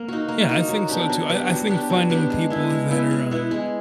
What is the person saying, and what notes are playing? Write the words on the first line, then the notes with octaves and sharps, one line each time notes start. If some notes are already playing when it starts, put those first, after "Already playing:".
Yeah. I think so too. I I think finding people that are, um
Already playing: A#3
D#4 F#4
A#3
D#4 F#4
F#3
B3 D4 G4
F#3
B3 D4 G4
F#3
B3 D4 G4
F#3
B3 D4 G4
G#3
B3 E4
G#3
B3 E4
G#3
B3 E4
G#3